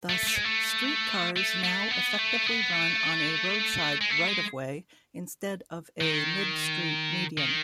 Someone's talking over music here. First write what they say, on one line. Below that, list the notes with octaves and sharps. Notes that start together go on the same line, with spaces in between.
Thus, streetcars now effectively run on a roadside right-of-way instead of a mid-street median.
A3
A3
G#3
A3
A3
A3
B3
A3
B3
A3
G#3
A3
G#3
D#3
D#3